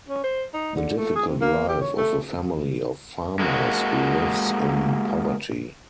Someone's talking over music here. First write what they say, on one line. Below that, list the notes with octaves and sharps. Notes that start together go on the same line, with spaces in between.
The difficult life of a family of farmers who lives in poverty.
C#4
C5
D#4
D3
A3
G#4
C3
A#3
G4
C#5
A3
G#3 A#3 D#4 F#4